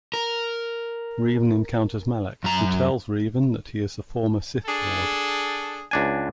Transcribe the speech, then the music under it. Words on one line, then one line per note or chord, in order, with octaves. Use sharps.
Revan encounters Malak, who tells Revan that he is the former Sith lord.
A#4
F#2 A#5
D4 G#4 A4
C#2 D4 G#5